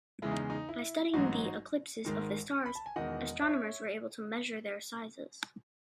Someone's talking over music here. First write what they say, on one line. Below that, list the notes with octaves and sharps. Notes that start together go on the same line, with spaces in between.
By studying the eclipses of the stars, astronomers were able to measure their sizes.
E2 C#3 G#3 E4
D#4
D#4
E4
A1 G#2 F#3 D#4 F#4
G#1 G#2 D#3 G#3
B5
A5
G#5
E1 E2 D#3 D#5 F#5
C#5 E5